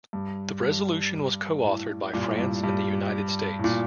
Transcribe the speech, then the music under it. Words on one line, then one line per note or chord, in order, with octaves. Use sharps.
The resolution was coauthored by France and the United States.
G2
G2
A2
G2 A#2
A2
G2
G2
A2
A#2